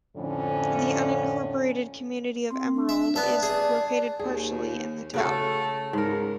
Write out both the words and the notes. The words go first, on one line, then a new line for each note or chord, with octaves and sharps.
The unincorporated community of Emerald is located partially in the town.
F2 A2 D3 C#4
C4 C6
D4
E5
B3 D5 E5 A5
G#4 D5
D#2 G#4
C#3 A3 F#4 A4
C#2 G#2 A#4